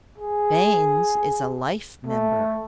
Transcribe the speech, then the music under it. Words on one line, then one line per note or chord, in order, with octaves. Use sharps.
Baines is a life member.
G#4
A3